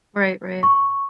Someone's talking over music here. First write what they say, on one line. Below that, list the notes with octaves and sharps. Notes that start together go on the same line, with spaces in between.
Right. Right.
C#6